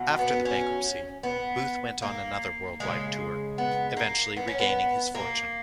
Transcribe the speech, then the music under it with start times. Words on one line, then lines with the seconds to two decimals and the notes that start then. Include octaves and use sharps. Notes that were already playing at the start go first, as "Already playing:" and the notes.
After the bankruptcy, Booth went on another worldwide tour, eventually regaining his fortune.
Already playing: B2 F#3
0.19 B3
0.45 C#4
1.23 B3
2.02 A#3
2.80 C#3 G#3
3.58 B3
3.97 A#3
4.36 B3
4.48 C#4
4.60 B3
5.15 A#3